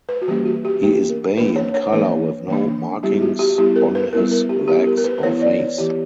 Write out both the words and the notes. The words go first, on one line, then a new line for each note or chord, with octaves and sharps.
He is bay in color with no markings on his legs or face.
B4
F#4
E3 G3 A#3 C#4 G4
F#4
G4
E3 A#3 D4 G4
A#4
E3 A#3 D4 B4
C#5
C#5
E3 A#3 D4 B4
E3 A#3 D4
G3 B3 E4 G4
F#4
G4
G3 B3 E4 G4
A#4
B4
G3 B3 E4 A#4
A#4
G4
G3 B3 E4 G4
A#4
A#4
B4
B4
E3 B3 E4 C#5
D5
C#5
E3 B3 E4 G4